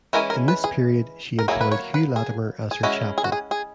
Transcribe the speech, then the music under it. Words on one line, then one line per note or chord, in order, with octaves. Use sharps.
In this period she employed Hugh Latimer as her chaplain.
E3 G#3 C#4 E4 A#4
A#4
B4
G#4
A#4
F#3 A#3 E4 G#4
B4
C#5
B4
G#4
G#4
G#3 C#4 E4 F#4
G#4
F#4
G#4
G#4